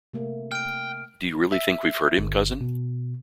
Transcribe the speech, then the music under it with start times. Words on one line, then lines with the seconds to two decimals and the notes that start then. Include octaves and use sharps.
Do you really think we've hurt him, cousin?
0.13 C3 A3 A#3
0.52 G5 F6 D7
1.52 E5
2.18 G1
2.61 B2